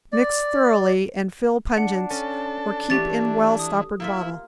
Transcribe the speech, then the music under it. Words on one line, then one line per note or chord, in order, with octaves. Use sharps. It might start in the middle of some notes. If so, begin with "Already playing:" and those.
Mix thoroughly and fill pungents or keep in well stoppered bottle.
D5
D4 F#5
C#4 A4
E3 A3 F#4 G4 A6
D#6
A#3 E4 F4 E5